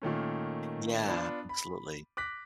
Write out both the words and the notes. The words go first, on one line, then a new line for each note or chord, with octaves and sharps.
Yeah. Absolutely.
A#2 D#3 A3 C#4
B3 D4 F4
B5
D6 F#6 A#6 B6